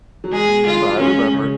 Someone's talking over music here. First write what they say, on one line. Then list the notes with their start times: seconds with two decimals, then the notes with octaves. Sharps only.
Mhm, I remember.
0.24 F#3
0.32 G#3 G#4
0.66 G#3 F4
0.77 G#3
0.89 F#3
1.00 G#3 C#4
1.34 C#3